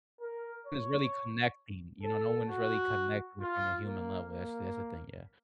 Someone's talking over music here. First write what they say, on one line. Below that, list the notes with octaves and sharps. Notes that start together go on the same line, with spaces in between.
Is really connecting, you know? No one is really connected, like, on a human level. That's that's the thing, yeah.
A#4
C#5
A4
F#4
F4
A#3
A#3